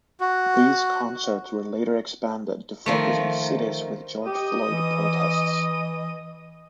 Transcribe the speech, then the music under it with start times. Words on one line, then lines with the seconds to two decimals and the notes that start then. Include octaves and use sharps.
These concerts were later expanded to focus on cities with George Floyd protests.
0.20 F#4
2.86 D#3 F3 A3
4.26 G4 D#5 D#6
4.70 E3